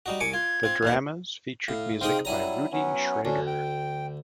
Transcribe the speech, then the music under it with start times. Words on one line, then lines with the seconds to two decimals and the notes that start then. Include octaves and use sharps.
The dramas featured music by Rudy Schrager.
0.06 G3 D#4 F#4
0.20 C2 G#5 D6 C#7
0.34 F4 G#6
0.63 C4 F4
0.83 D#2 A#2 E4
1.68 A2 F5
2.01 C3 D#4 G#4 F5 G5 C6
2.25 F#3 G3 E4 G#5 A#5
2.72 F#3 B3 C#4
3.25 D2 C#4 D4
3.47 G5